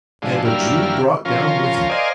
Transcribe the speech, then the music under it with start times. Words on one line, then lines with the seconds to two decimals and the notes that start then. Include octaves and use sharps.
'And a Jew brought down with it!
0.22 A2 D3 F3 G#3
0.45 F#2 D3 G3 A#3 E4 F6
1.25 F3 C#4 F4 A#4
1.89 A#4 C5 D5 D#5 F5 G#5